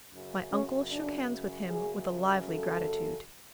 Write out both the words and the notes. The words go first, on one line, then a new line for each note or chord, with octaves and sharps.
My uncle shook hands with him with a lively gratitude.
F#2 C#3
C#4
D4
G#4
A4